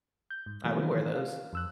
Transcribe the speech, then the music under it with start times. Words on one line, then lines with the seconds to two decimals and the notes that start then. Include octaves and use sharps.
I would wear those.
0.31 G6
0.46 G#2
0.64 B2 E3 F#3 A3 A#3
0.79 D#3 E3 F4
1.15 F5
1.53 F2 E6 F#6